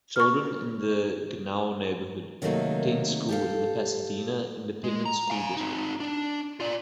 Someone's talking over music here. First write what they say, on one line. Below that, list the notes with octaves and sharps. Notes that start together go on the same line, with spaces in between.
Children in the Genoa neighborhood attend school in the Pasadena Independent School District.
C#6 F6
C3 D#3 F#3 A3 A#3 D#4
G4 A4 F5
G#3
A#5
F5 G#5
C4 D#4
D4
F4 D5